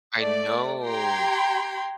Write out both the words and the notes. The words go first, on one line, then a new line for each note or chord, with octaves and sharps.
I know.
A3 D5
G4 G5 A#5 C6 G#6